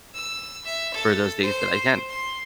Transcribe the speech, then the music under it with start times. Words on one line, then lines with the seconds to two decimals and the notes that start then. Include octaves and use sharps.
for those days that I can.
0.15 E6
0.65 E5
0.94 A4
1.43 C5
2.09 C6